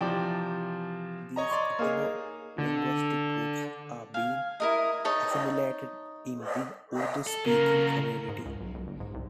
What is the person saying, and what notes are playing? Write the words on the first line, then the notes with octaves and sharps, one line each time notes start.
These ethno-linguistic groups are being assimilated in the Urdu-speaking community.
C3 E3 F3 D5 G5
C#5 D#5 A#5
D5 C6 C#6
A#3 D#4 G#4
D3
F5 G#5
E4 A#4 D#5
D#4 C#5 D#5 A5
A4
C#3 A#3 A#4
G#2
C#2
B1
B1
G1
G#2
C2